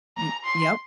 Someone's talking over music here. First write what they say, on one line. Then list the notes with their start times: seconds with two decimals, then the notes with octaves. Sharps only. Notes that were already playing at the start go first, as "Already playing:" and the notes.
Y yep.
0.17 A#5
0.45 C6